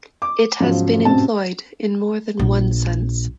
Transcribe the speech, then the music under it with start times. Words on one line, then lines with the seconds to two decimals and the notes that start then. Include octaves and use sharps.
It has been employed in more than one sense.
0.22 D6
0.60 E2 G#2 C#3 F3 F#3
1.05 A1 F#2 C3 C4 A5
2.39 A#1